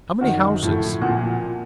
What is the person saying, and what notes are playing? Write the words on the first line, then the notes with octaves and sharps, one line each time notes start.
How many houses?
F#2 D#3 F#4
A2 F3
A#2 F3 F#4